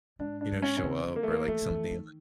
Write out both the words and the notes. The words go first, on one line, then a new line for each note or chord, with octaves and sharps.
you know, show up or, like, something?
G#2 D4
D4
G#2
C#4
C#4
C#3 C4
D3
A#3
A3
D#3 A#3
E3 A3
D#3
E3
D#3